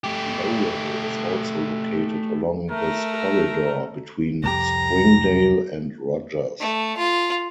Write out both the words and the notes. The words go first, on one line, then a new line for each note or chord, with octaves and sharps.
Lowell is also located along this corridor, between Springdale and Rogers.
A3 G4
A3 A#4 A#5
C2 F2 G4 A#5
A3
F4